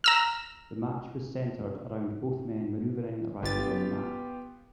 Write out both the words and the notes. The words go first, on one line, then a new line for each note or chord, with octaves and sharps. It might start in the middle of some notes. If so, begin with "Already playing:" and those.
The match was centered around both men maneuvering around on the mat.
A#5 E6 F6
G1 B3 F4 G4 A6